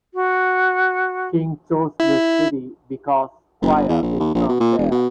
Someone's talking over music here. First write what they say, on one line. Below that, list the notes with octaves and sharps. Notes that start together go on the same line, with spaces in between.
King chose this city because squire is from there.
F#4
E4
F#1
G1
E2
A#1
D#2
A#1
B2
A#2
E1
B2